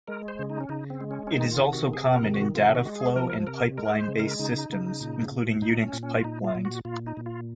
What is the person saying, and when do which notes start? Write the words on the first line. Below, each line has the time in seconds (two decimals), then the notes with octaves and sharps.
It is also common in dataflow and pipeline-based systems, including Unix pipelines.
0.08 G#3 A#4
0.28 C5
0.39 C#3
0.50 D#4
0.61 C#4
0.69 C#3 D#4
0.90 C4
1.01 G#3
1.11 C#4
1.27 C#4
1.31 D#3 D#4
1.51 F4
1.62 C3
1.73 F#4
1.93 C3 G#4
2.13 A#4
2.23 D#3
2.34 F#4
2.55 C3 F4
2.75 F#4
2.85 G#3
2.95 G#4
3.16 F3 A#4
3.47 C3 A#4
3.78 G#3 A#4
3.98 C5
4.08 C#3
4.19 A#4
4.39 C#3 D#4
4.70 C#3
5.01 A#2
5.31 A#2
5.62 A#2 D#4
5.83 C#4
5.93 A#2
6.03 C#4
6.15 F4
6.24 A#2 D#4
6.44 F4
6.55 A#2
6.65 F#4
6.85 A#2 F4
7.07 D#4
7.17 A#2
7.26 F4